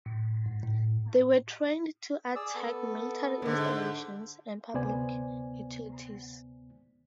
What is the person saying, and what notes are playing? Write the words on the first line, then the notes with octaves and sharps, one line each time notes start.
They were trained to attack military installations and public utilities.
A2
G#2
A2
G#4 D5 E6
B3 A4
G#2 D3
D2 C3 B3 C5 D5 G#5